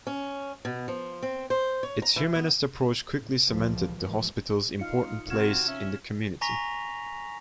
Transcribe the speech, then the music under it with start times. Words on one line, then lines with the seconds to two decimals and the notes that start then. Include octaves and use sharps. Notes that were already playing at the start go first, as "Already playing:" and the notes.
Its humanist approach quickly cemented the hospital's important place in the community.
0.07 C#4
0.65 B2
0.88 F3
1.23 C4
1.50 C5
1.83 C#5
2.02 A#5
2.16 E3
2.35 B3
3.16 A2
3.47 C#2 A#2 E3 F3 G3
3.97 G2 E3 F3 G#3 A#3
4.79 D#4 F4 F5 C#7
5.30 C3 C4 F#4 F6 G#6 E7
5.68 C#4 E5
6.41 G#5 A#5 C#6 A#6 B6 F7